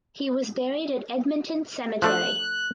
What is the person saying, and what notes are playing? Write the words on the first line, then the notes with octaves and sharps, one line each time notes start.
He was buried at Edmonton Cemetery.
F3 A3 D4 F#6